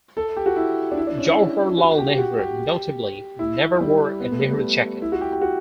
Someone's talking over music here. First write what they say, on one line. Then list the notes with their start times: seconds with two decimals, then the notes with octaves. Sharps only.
Jawaharlal Nehru, notably, never wore a Nehru jacket.
0.17 A4
0.37 G4
0.46 F#4
0.56 E4
0.91 D4
0.97 E4
1.07 D4
1.18 C#4
1.27 E4
1.78 F#4
1.98 G4
2.18 F#4
2.39 G4
3.39 E4
3.81 G3
4.20 B3
4.31 A3
4.42 G3
4.52 A3
5.02 E4
5.12 F#4
5.21 G4
5.32 G4
5.42 F#4